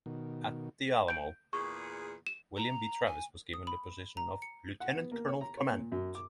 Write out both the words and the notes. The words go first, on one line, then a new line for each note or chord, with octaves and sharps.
At the Alamo, William B. Travis was given the position of lieutenant colonel commandant.
B2 D#3
G6 D7
E2 A#2 G#4 C#6
E7
A#5
G#5
D#6
B5
A#5
C#7
F#5
B3
A#3
C#5
A#5
C#5
A#2
F#2
D6